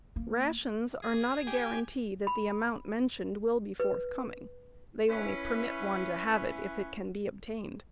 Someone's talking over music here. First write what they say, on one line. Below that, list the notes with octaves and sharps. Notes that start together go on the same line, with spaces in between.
Rations are not a guarantee that the amount mentioned will be forthcoming; they only permit one to have it if it can be obtained.
A#3
G#4
G4 G#5
B5
B4
C#4 E4 B4